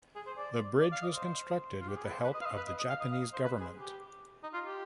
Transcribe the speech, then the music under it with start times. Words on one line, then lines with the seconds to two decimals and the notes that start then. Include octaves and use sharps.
The bridge was constructed with the help of the Japanese Government.
0.16 G#4
0.26 C5
0.37 D5
0.81 D5
0.92 F5
1.02 D#5
1.14 C5
1.81 F4
1.89 G4
1.97 G#4
2.05 B4
2.13 C5
2.24 B4
2.34 D#5
2.41 F5
2.45 D#5
2.57 B4
2.68 D#5
2.78 D#5
2.89 F5
3.00 D#5
3.11 F5
3.22 D#5
3.33 C5
3.45 B4
3.60 G#4
3.77 G4
4.43 D#4
4.53 F4
4.65 G4